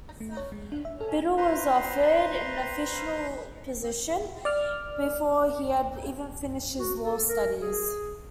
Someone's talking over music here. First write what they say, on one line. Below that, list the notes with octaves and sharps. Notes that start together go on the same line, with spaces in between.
Biddle was offered an official position before he had even finished his law studies.
A3
C#5
G#3
D4
E5
A4
B4 C5 A#5 C6
D5 F6
F#4
A4
A#4
G#4